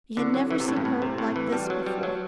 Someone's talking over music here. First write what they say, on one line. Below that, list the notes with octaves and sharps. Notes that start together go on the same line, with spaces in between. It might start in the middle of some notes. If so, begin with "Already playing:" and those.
He had never seen her like this before.
D3 C4 E4 A4
F#3
E3
C3
A2
G2
A2
C3
A2
E3
G3 F#4 B4 F#5 A5
F#3
G3
F#3